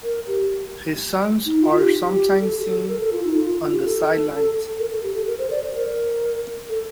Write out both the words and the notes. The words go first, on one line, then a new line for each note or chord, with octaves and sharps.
His sons are sometimes seen on the sidelines.
A#4
G4
D#4
F4
G4
A4
G4
A4
A#4
A4
F4
D#4
F4
G4
A4
A#4
A4
G4
A4
A#4
C5
D5
C5
A#4
A4